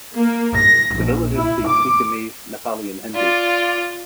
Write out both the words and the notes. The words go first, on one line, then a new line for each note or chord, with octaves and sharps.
The villagers speak Sikkimese, Nepali and Hindi.
A#3
A#6
A#1
E4
D6
F4 D5